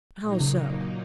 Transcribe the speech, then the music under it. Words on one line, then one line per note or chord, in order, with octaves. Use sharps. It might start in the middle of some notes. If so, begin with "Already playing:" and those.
"How so?"
A#2 F#3 A#3 D#4
C#3